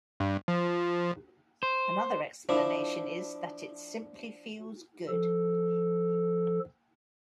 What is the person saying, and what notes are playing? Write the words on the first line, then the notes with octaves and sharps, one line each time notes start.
Another explanation is that it "simply feels good".
G2
F3
C5
F3 D4 E4
F3 A4